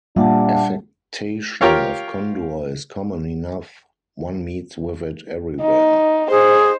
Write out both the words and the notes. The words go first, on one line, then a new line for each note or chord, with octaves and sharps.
Affectation of candour is common enough — one meets with it everywhere.
A#2 G3 D4 E5 F#5 A5
F4 G4 A#4 C#5 F5
D#4
G#4 C5